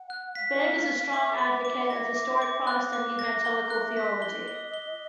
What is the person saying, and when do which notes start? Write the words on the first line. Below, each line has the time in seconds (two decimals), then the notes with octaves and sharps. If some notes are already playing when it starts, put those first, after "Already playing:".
Begg is a strong advocate of historic Protestant Evangelical theology.
Already playing: F#5
0.10 F#6
0.35 F5 B6
0.61 B6
0.87 B6
1.13 E5 D6
1.38 D6
1.65 D6
1.90 A#6
2.17 D6
2.42 D6
2.67 F5 F#6
2.86 F5
2.93 D6
3.07 F5
3.19 A#6
3.25 F5
3.29 E5
3.45 F5 G7
3.65 F5
3.70 F#6
3.83 E5
3.97 B6
4.02 D#5
4.22 D#5 G7
4.48 G7
4.74 G7